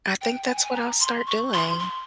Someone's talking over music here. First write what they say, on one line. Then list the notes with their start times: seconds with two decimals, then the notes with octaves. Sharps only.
I think that's what I'll start doing.
0.21 G5
0.48 G#5
0.56 G5
0.64 G#5
0.74 A#5
1.01 C6
1.27 C#6
1.53 C6
1.79 C6